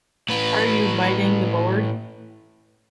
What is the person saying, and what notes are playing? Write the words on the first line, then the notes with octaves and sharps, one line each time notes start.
Are you biting the board?
A2 B4